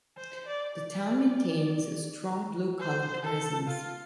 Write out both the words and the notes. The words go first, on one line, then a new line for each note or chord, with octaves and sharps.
The town maintains a strong blue-collar presence.
C5
D5
D5
C5
A4
F4